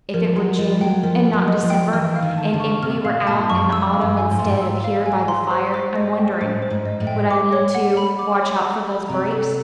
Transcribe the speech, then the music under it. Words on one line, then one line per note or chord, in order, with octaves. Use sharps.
"If it were June and not December, and if we were out in the auto instead of here by the fire, I'm wondering; would I need to--watch out for those brakes?"
F3 A#4
F#3 A#4
F3 D#5
F#3 G5
F3 A#4
A#4
F#3
D#5
F3
G5
E3 F6
F5
D#3
A5
D3
C#6
C3 F6
A#2 F5
A#2 A5
F#2 C#6
F#2 E6
F5
G2
G#5
G#2
A2 C6
G#2
E6
F5
G#5
C6
C5
C5
D#5
G5
A2 C5
C5
G#2
D#5
A2
G5
D6
C#5
F#5
B5
D6
C#5
F#5
B5
C3 A#5
A4